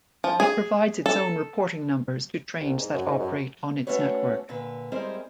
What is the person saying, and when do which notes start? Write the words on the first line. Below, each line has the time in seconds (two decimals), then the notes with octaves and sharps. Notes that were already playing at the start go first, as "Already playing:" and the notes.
It provides its own reporting numbers to trains that operate on its network.
0.24 F3
0.40 G#4
1.06 A4
2.60 C2
2.77 G#2
2.94 F#2
3.07 G#2
3.19 F#2
3.87 A3 C#4 D4 F#4 B4 C#5
4.49 A#2 D3 B4
4.92 G3 G#3 C4 E4 A#4 C5